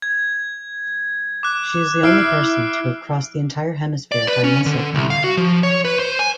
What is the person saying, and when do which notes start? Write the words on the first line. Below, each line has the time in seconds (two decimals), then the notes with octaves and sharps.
She is the only person to have crossed the entire hemisphere by muscle power.
0.02 G#6
1.43 D6 F#6
2.03 E4 F6 C7 D7
4.12 D5
4.27 B4
4.44 C#4
4.66 D3
4.95 C2
5.10 F5
5.24 F#4
5.37 F3
5.63 C#5
5.85 B4
5.99 C5
6.19 G#5